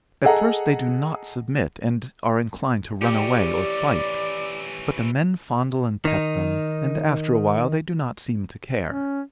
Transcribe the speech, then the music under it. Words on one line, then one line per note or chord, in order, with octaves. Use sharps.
At first they do not submit, and are inclined to run away or fight, but the men fondle and pet them, and after awhile they do not seem to care.
G#4 A4 D#5 F#5 A#5
E3 C#4 G4 D5
D#3 D#4
C#4